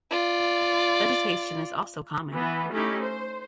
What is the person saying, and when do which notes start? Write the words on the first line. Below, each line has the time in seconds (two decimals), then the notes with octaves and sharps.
Vegetation is also common.
0.11 F4 D5
2.31 E3 B3
2.72 A3 C#4 D#4 E4 G4
3.04 C5